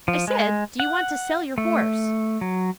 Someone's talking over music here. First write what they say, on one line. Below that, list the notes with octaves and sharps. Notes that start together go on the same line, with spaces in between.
"I said, do you want to sell your horse?"
F3
G#3
F#5
A3
F#3